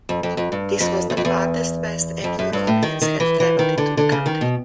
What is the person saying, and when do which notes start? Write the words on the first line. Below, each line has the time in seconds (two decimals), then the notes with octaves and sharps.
This was the furthest west any Europeans had travelled into the country.
0.09 F2
0.23 F2
0.37 F2
0.52 G2
0.80 F2
1.10 E2
1.17 F2
1.25 E2
2.24 F2
2.39 F#2
2.53 G2
2.67 A2
2.83 D#3
3.02 D#3
3.20 E3
3.40 E3
3.59 D#3
3.78 D3
3.97 D3
4.12 C#3
4.26 D#3
4.41 B2